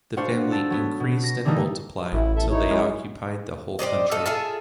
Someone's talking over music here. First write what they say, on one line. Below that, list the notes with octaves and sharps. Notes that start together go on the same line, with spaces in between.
The family increased and multiplied till they occupied the whole country.
D4 F#4 C5 F5 F#5
A4
F#3 B3
B2
A#6
D3 E3 G3 A3 A#3 D#4
A1 E4
E2 A4 E5
D#4 E4 C#5
G#3
G4 C5 D5 D#5
A3 F4 A4 D#5
F4 G#4 A4 E5